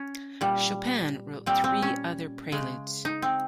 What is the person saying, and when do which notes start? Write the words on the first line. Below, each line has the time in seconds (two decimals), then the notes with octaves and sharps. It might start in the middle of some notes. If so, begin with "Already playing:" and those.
Chopin wrote three other preludes.
Already playing: C#4
0.41 A#2 G3
1.46 A#2 G3 C4
1.64 C4
1.82 C#4
2.52 C#3 G#3
3.05 D#4
3.22 C4